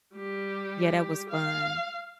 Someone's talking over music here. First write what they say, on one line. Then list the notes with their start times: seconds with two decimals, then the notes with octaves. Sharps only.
yeah, that was fun,
0.16 G3 G4
1.30 F5